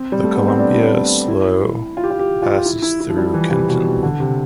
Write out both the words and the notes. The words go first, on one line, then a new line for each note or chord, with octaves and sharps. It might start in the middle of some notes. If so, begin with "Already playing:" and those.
The Columbia Slough passes through Kenton.
Already playing: C4
G3
A3
B3
C4
D4
E4
F4
G4
F4
G4
F4
E4
E4
E4
F3
G3
E3
C3
C3
B2
C3
D3
C3